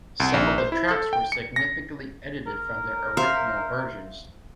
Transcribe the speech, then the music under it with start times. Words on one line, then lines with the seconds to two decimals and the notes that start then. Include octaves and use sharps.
Some of the tracks were significantly edited from their original versions.
0.20 C2
0.34 A#1
0.58 C5
0.72 E4
0.91 A4
1.13 G5
1.32 C#7
1.56 A#6
2.47 A#4
3.17 C5 E5 F5